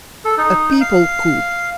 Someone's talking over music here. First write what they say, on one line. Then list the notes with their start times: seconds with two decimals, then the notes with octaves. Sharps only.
A people coop.
0.25 A4
0.38 D#4
0.81 F5